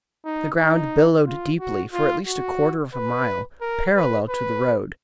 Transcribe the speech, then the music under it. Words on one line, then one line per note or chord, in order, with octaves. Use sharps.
The ground billowed deeply for at least a quarter of a mile, parallel to the road.
D#4
D#4
F4
F#4
F4
F#4
B4
A#4
B4
B4